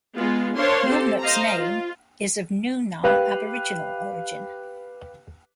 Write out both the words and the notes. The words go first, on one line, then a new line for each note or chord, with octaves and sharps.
Yornup's name is of Noongar Aboriginal origin.
G#3 B3 F4 G#4
D4 A#4 C5 C#5 F5 C6
C4 G4 A4 C5
C5 D#5 F5 A#5
F4
G4 B4 F5 F#6